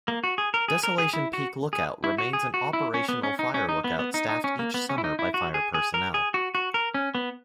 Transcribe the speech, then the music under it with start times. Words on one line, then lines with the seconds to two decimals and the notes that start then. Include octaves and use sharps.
Desolation Peak Lookout remains an operational fire lookout staffed each summer by fire personnel.
0.08 A#3
0.24 F#4
0.38 G#4
0.54 A#4
0.68 G#4
0.83 A#4
0.98 G#4
1.13 E4
1.33 F#4
1.73 G#4
2.04 E4
2.18 F#4
2.33 G#4
2.54 F#4
2.73 E4
2.94 C#4
3.09 B3
3.23 C#4
3.39 D#4
3.54 C#4
3.69 D#4
3.84 B3
3.99 B3
4.14 D#4
4.29 D#4
4.44 C#4
4.59 A#3
4.74 B3
4.89 C#4
4.98 E4
5.04 D#4
5.19 E4
5.34 F#4
5.54 G#4
5.74 G#4
5.94 A#4
6.14 G#4
6.34 F#4
6.55 F#4
6.74 A#4
6.94 C#4
7.15 B3